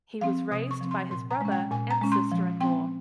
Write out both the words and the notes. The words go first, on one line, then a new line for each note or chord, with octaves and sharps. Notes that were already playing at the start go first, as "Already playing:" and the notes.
He was raised by his brother and sister in law.
F3 C4 F5
C3 D#6
C#6
F3 C4
C6
A#2 C6
A#5
G#3 C#4
G5
A#2 G#5
A#5
G#3 C#4
C6
F3
C4 G5